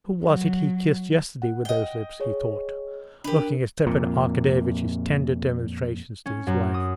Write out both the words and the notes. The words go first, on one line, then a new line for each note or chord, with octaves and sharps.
"Who was it he kissed yesterday with those lips?" he thought, looking at Stepan Arkadyevitch's tender demonstrations to his wife.
F#3
F#5
D#5 G5
G#4 C#5
D4 G4 A#4 B4
F2 A#2
C#4
F#2
D#6